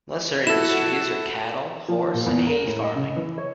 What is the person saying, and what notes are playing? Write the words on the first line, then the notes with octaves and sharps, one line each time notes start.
Lesser industries are cattle, horse, and hay-farming.
E4 F#4 A4 E7
F3
A#2
E2
A#4
A2
D#5
C#3
E3
C#5